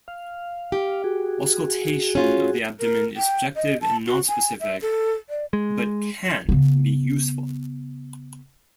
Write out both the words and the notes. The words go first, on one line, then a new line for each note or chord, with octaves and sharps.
Auscultation of the abdomen is subjective and non-specific, but can be useful.
F5
G4
F#4 G#4
C#4 F4
A#4
G5
D#5
A5
F#4
G#5
E5
A4
D5
G#3
C#3 B3